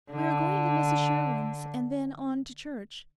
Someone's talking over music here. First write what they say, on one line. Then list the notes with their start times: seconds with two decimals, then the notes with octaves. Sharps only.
We are going to Mrs Sherwin's, and then on to Church.
0.11 D3